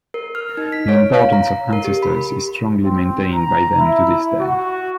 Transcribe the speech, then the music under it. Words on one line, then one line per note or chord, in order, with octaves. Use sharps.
The importance of ancestors is strongly maintained by them to this day.
A#4
F6
D#4
B6
C#5
F5
A#5
A#4
G4
B5
C4
A#5
E4
F#4